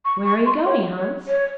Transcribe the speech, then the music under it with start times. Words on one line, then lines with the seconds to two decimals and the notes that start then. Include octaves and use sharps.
'Where are you going, Hans?'
0.05 C#6
0.25 C#6
0.46 C6
0.66 C#5
0.97 C#5
1.28 C#5